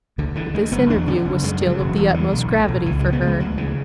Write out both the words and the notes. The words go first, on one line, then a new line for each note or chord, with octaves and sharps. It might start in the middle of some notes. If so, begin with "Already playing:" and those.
But this interview was still of the utmost gravity for her.
D2 D3
D3 E3
D2 G#3
F#1 B3
E2 D4
D3 C#4
F#1
F#2 G#3
C#3 F#3
E1
E2
D3
B1
A2
B1
C#2 E3
G#3
C#3
B3
C#2
G#3
D2 F#3
C#3 E3